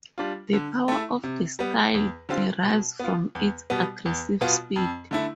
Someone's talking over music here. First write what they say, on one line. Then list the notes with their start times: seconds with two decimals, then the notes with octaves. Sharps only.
The power of the style derives from its aggressive speed.
0.18 G3 D4 F4
0.53 D3
0.88 A3 E4
1.24 C3
1.59 G3 B3
1.94 E2
2.29 D3 G3 C4 F4
2.64 B2
3.00 B3 F4
3.35 E2
3.70 B2 G3 B3
4.05 E2
4.41 B2 B3 F4
4.76 F2
5.11 D3 A3 E4